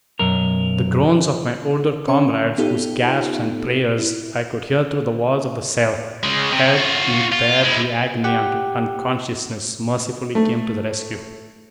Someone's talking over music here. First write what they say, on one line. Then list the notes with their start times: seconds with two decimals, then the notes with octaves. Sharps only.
The groans of my older comrades, whose gasps and prayers I could hear through the walls of the cell, helped me bear the agony until unconsciousness mercifully came to the rescue.
0.19 B1 F#2 A#4
2.08 C#4 C#5 G#5
2.58 B3 D#4 F4 G4 A4
3.98 E4
6.23 C#3 G#3
6.52 C3
6.74 F4 F#4
7.32 F4
7.64 G#3 E4
8.24 G4 F#5
10.35 A3